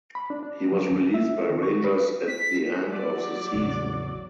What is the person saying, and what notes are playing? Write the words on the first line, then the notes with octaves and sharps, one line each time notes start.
He was released by Rangers at the end of the season.
B5
D4
D4
F#3
D#2
E5
D#3
C#6
B4
B6
F#3 D5
A1 E2 C#3